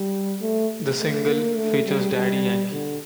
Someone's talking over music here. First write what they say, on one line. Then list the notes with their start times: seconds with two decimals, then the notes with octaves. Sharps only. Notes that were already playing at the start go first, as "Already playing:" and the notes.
The single, features Daddy Yankee.
Already playing: G3
0.41 A3
0.98 A3
1.27 A#3
1.56 A3
1.85 G3
2.13 G3
2.72 D3